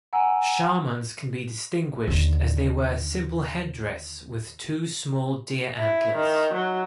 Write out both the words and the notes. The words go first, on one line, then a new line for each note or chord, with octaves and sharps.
Shamans can be distinguished as they wear simple headress' with two small deer antlers.
F#5 G#5 A#5 E6
D#2 D3
E4
D#3
F#3